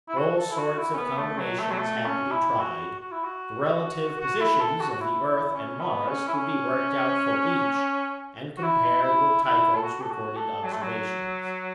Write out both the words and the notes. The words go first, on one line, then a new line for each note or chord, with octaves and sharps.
All sorts of combinations had to be tried, the relative positions of the earth and Mars to be worked out for each, and compared with Tycho's recorded observations.
E4
F#4
A4
E4
F#4
E4
C#4
B3
A3
F#3
A3
F#3
A3
C#4
E4
F#4
F#4
E4
F#4
F#4
E4
A4
F#4
F#4
E4
E4
C#4
B3
C#4
E4
C#4
F#4
E4
E4
E4
A4
F#4
A4
F#4
A4
F#3
A3
F#3